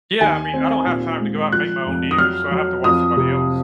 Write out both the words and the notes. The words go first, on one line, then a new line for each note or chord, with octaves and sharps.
Yeah, I mean, I don't have time to go out and make my own news, so I have to watch somebody else.
D#2 G#5
C4
A#2
G#3
F3 F#6
F2
D#6
F#3 F6
F#3
F2 D#6
C3